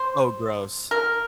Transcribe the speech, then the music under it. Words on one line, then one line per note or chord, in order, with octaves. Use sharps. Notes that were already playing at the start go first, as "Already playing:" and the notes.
Oh, gross.
Already playing: C5
A#4